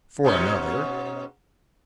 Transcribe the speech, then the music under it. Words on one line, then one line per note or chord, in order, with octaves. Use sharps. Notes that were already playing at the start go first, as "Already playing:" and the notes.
"For another?"
G#2 B2 C#4